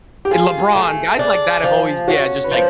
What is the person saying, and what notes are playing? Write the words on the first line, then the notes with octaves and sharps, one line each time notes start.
LeBron, guys like that have always yeah, just like,
G4
F4 G#4
A3
D4
F3
C#4 F#4
B4
F3 C5